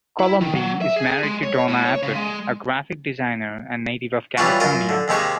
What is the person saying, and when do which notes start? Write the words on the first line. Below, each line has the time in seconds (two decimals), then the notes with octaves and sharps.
Colomby is married to Donna Abbott, a graphic designer and native of California.
0.19 E4
0.41 D#3
0.55 F#3
0.81 E5
0.96 G#4
1.23 G#3
1.43 C#5
1.68 A2
1.85 C#5
2.03 C#3
2.15 G#3
4.38 E3 G3 C#4 D4 F4 F#4
4.60 F#2 F4 A#4 D#5
4.89 D3
5.08 D#2 C3 G#3 G4 C#6